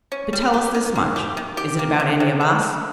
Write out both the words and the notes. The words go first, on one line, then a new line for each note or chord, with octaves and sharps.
"But tell us this much--is it about any of us?"
C#4
G3
G4
D#3
A#3
G4
D#3
G4
A#3
C3
C3
C3
D#3